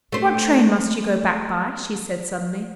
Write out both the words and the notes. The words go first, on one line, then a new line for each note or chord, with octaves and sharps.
"What train must you go back by?" she said suddenly.
A3 C5